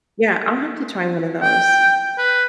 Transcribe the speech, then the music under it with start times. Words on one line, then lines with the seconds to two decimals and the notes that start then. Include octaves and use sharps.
yeah, I'll have to try one of those.
1.42 G5
2.18 B4